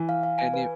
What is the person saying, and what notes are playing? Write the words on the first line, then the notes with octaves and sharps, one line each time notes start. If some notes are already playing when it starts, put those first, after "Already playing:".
and it
Already playing: E3
F5
F5
G#5
B4